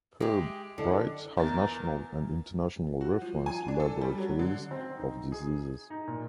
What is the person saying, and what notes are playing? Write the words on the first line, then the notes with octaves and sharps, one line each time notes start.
Pirbright has National and International Reference Laboratories of diseases.
G#3 G4
D3 D4 E4 A4 D#5
E2 A#4 A6
F#4
F3
G#5
D4
A4
G3
F#3
D3
C4
D#4
G#4
D#4
A#2